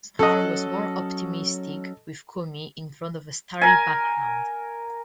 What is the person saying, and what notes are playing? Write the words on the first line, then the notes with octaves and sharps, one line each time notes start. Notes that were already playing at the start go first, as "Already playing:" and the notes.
"Star" was more optimistic, with Kumi in front of a starry background.
F#3 C#4 A4 D#5 F#5
A#4 G#5